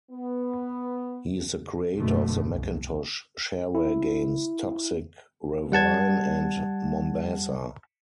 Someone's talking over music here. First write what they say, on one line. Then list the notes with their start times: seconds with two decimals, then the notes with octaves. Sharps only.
He is the creator of the Macintosh shareware games "Toxic Ravine" and "Mombasa".
0.11 B3
1.97 F#1 F#2 B2 D3 A3
2.49 C2
3.75 E4
5.72 G3 F#5 A5 G#6